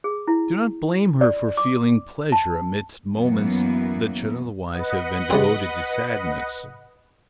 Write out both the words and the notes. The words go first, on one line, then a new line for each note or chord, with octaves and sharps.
Do not blame her for feeling pleasure amidst moments that should otherwise have been devoted to sadness.
G#4
E4
D5
D6
A5
F#2 E3 A#3 B3
B4 D#5 F#5
C#2 G3 C4